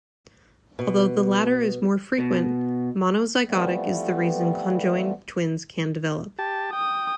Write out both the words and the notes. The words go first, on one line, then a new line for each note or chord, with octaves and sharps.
Although the latter is more frequent, monozygotic is the reason conjoined twins can develop.
B2
B2
E3 F3 G3 A3 B3 C4
G4 A5
G5 D#6